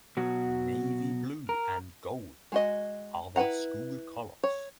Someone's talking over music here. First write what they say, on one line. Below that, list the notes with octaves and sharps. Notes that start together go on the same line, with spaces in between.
Navy blue and gold are their school colors.
B2 F#3 F#4
A#4
G#3 F#4 D#5
E4 B4 C5 F#5 A#5
C#5